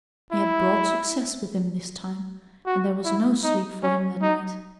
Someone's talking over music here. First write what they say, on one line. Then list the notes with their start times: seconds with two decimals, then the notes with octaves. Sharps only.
He had brought success with him this time and there was no sleep for him that night.
0.32 E4
2.66 F#4
3.05 E4
3.44 D#4
3.83 C#4
4.22 D#4